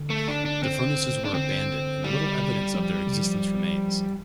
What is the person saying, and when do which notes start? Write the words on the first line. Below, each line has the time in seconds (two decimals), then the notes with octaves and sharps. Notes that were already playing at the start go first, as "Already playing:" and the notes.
The furnaces were abandoned and little evidence of their existence remains.
Already playing: D3
0.10 A3
0.28 D4
0.46 D4
0.63 C4
1.25 D4
1.33 D3 C4
2.04 G3
2.74 F3
3.07 C3
3.14 D3
3.22 F3